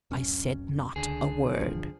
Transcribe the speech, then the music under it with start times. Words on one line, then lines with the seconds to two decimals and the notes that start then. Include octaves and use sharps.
I said not a word.
0.11 D1 F#2 C#4
0.96 C#2 D3 G#4
1.61 B1 G2 F3